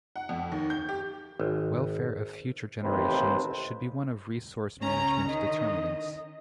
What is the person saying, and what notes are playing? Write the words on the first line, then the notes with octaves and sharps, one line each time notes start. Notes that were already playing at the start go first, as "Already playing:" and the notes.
Welfare of future generations should be one of resource management determinants.
F#5
F2
D#2
G6
G4
G#1
A1 D#2 C3 B4 C5
C#2 C#3 C#4 A#5
D#3 D#5